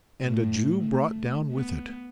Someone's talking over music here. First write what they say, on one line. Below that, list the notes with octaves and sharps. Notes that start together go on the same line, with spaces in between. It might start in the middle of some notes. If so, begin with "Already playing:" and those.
'And a Jew brought down with it!
A2
A3
B3